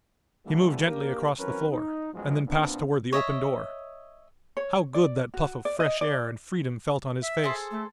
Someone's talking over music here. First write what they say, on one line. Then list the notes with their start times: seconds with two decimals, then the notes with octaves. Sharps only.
He moved gently across the floor, and then passed toward the open door. How good that puff of fresh air and freedom felt on his face!
0.46 D3 E3 F3 G3 A3
0.86 A#3 D4 G4 A#4
1.39 E3 F#3 C4 C#4 A#4 B4
1.72 D#4
2.14 A1 E2 G#2 F3 F#3 G#3
2.48 A#2 B3 C4 D4
3.13 C#5 D#5 E5
4.57 C#5
4.94 D5
5.34 F#4
5.65 D5
5.80 D#5
6.01 D5
7.22 E5
7.44 G#4 A4 C5
7.70 A3